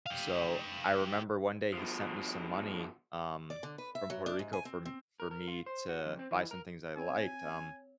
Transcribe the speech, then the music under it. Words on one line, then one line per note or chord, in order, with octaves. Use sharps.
so, I remember one day he sent me some money, um, from Puerto Rico, for m for me to buy some things that I liked, um,
G4 F5
B2 F3
D5
D3
B4
E5
F#3
D4
G#2
G#5
C4
C4
A#4
A#4
F4
C5
F#4
F2
C4
E3
A#4
C4 C#5 G#5